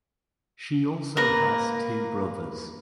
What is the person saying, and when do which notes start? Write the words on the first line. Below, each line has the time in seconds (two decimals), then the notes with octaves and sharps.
She also has two brothers.
1.17 A#3 A#4 B4 A#5